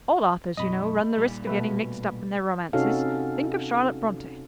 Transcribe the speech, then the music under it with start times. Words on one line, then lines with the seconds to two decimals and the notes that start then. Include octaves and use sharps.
"All authors, you know, run the risk of getting mixed up in their romances--think of Charlotte Bronte."
0.57 F#2 B2 D#5 B5
1.17 A#2 G3
1.47 B2 A3 B4
2.73 C3 C#4 D#4 F#4 A4 F5